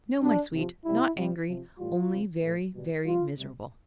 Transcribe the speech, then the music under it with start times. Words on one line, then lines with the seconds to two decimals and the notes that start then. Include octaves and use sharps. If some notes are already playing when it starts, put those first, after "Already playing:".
"No, my sweet--not angry--only very, very miserable!"
0.21 B2 G3 D4
0.53 C3 F3
0.84 C3 G3 E4
1.16 C3 G3
1.48 C3 F3
1.79 A2 E3 G3 F4
2.11 C3 F3
2.42 A2 F3
2.74 B2 G3
3.05 C3 G3 F4
3.37 C3 G3